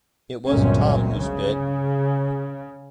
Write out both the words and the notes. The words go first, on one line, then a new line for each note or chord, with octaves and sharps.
It wasn't Tom who spit.
G1 C#2 F#2 A#2 C4 C#4
C#3